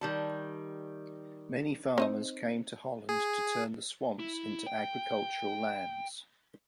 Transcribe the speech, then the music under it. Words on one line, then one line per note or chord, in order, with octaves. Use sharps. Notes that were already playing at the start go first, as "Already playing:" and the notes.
Many farmers came to Holland to turn the swamps into agricultural lands.
D#3 G3 A5
C4 D#4 D#5
G#4
E4
G5